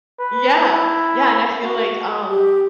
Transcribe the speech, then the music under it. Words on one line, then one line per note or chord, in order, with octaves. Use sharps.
Yeah, yeah, and I feel like, um,
B4
E4
F#4
G4